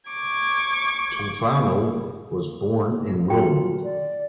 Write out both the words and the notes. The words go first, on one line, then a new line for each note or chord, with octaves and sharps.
Tofano was born in Rome.
C#6 D6 G#6
F#3 F4 G5
D5